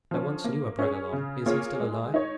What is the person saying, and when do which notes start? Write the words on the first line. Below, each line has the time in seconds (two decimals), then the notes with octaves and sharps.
"I once knew a Bragelonne--is he still alive?"
0.11 F3 C#4
0.44 A#3
0.79 C#4 G#4 C#5
1.13 C#3
1.46 A#3 F4 G#4 C#5
1.80 G#3
2.14 D#4 C#5